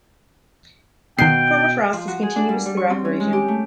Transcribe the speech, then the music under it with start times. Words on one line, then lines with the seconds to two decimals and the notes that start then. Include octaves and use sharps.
Permafrost is continuous throughout the region.
1.19 B2 D#3 G5 C7
1.93 F3
2.08 F#4
2.22 G#4
2.36 D4
2.49 G3
2.66 G3
2.77 C#6
2.90 C4
3.05 C#4
3.20 G#3
3.33 G4
3.48 A3